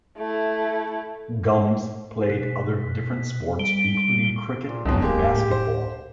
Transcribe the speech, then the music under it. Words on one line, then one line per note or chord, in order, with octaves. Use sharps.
Gumbs played other different sports, including cricket and basketball.
A3 E4
B2
G3
A#2
C2 F2 G#2 B2 F#3
D1 G#3 A#3 G4
A2
C5